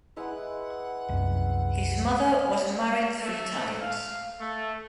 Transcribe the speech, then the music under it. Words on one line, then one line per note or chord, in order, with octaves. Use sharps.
His mother was married three times.
G#3 E4 B4 F#5
C2 F#2
A3
F5
A3